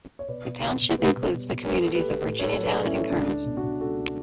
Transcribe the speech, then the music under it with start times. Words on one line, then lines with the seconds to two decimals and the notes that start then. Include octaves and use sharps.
The township includes the communities of Virginiatown and Kearns.
0.19 C#5
0.28 B2 B4 D5
0.46 B2
0.63 B2
0.81 B2
0.99 G3 G4 B4
1.16 B2
1.34 B2
1.52 B2
1.69 A3 B4
1.82 A4
1.87 A3
1.95 G4 B4
2.05 A3
2.22 A2
2.39 A2 A4 C#5
2.52 C#5
2.57 F#3
2.63 B4 D5
2.75 A3
2.87 C#4 E4
2.93 A3
3.10 C#2 D4
3.27 A3
3.46 B2
3.57 D4 F#4
3.63 B2
3.81 C#2 F#4 A4
3.98 A3